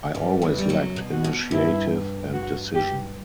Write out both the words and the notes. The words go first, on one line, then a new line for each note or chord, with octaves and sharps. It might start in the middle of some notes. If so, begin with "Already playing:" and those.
I always lacked initiative and decision.
G2 G3
E2 E3
G3
F#2 F#3
B2
F#4
B2
G2 E4
F#4
G4